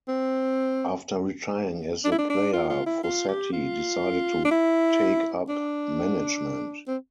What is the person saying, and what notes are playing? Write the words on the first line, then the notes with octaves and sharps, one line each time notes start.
After retiring as a player, Fossati decided to take up management.
C4
D4
E4
D4
D4
F4
F4
E4
F4
G4
F4
D4
E4
D4
C4